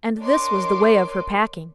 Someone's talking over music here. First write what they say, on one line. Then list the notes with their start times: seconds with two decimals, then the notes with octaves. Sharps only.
And this was the way of her packing.
0.20 D4 A#4 C#5 D#5 C6 D6